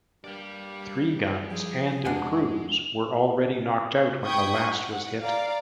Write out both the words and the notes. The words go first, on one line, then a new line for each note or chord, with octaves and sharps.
Three guns and their crews were already knocked out when the last was hit.
G2 G3 A#3 G4 D5
F3 G#4
F2 G#3 D4 F#5 G#5
G5 B5 C#6 D#6 G6 G#6
F#5
D5 F5 A#5